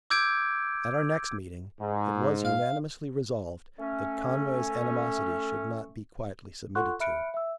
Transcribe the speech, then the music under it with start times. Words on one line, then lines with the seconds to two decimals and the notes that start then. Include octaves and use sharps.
At our next meeting it was unanimously resolved that Conway's animosity should not be quietly submitted to.
0.10 D6 E6 G6 G#6 D7
1.80 G#2
2.45 F5
3.79 A3 C#4
6.75 F4 A4 F#5 C6 C#6 F#6
7.00 E5 B5 F6 F#6 C#7 D7
7.34 E5 E6